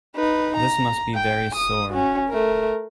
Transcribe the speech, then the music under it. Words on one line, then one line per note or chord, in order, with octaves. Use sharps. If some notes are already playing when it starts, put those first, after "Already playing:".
This must be very sore.
D#4 B4
A#5
G5
D#6
C#4 F#4
A3 A#4